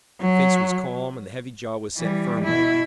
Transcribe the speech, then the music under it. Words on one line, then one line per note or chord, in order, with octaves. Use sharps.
The face was calm and the heavy jaw was set firmly.
F#3
E3 G3
B2 E4